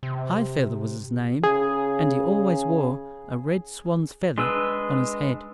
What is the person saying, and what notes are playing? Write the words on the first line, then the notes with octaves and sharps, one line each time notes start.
High-feather was his name, and he always wore a red swan's feather on his head.
C3
C#3 G#4
G#3 D4 G#4 B4 E6